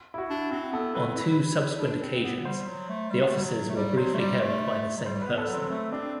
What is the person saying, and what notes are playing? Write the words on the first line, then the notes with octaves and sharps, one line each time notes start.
On two subsequent occasions the offices were briefly held by the same person.
E4
F#4
D4
C4 F#4
B3 A4
C4 B4
E4
E4
E4
D4
C4
B3
G3 C5
F#3
A3
G3
B3
A3
G3
F#3
A3
G3 D5
F#3 C5
A3
G3 D5
A3
F#3
G3 C5
B4
B3
A4
F#3
C4
A3 C4
C4 D4